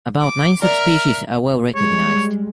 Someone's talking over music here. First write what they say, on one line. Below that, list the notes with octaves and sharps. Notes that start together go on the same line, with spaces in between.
About nine subspecies are well recognized.
D6
A#4 D5 E5 F6
G3 G#3 C#5